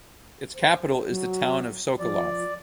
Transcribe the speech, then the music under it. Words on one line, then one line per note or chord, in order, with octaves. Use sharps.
Its capital is the town of Sokolov.
C5
F#3
F3 D5